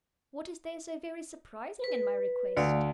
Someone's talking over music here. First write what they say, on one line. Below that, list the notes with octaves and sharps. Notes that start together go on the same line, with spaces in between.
"What is there so very surprising in my request?"
B4
D2 A3 D5 F5